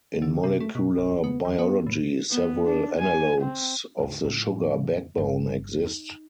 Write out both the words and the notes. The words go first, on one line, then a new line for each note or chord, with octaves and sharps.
In molecular biology, several analogues of the sugar backbone exist.
D3
C3
A3
B2
B1
D#1
B3
E2
B3
A2
B3
D4
G#5
C4
D2 G#2
A2 F3
G1
D#4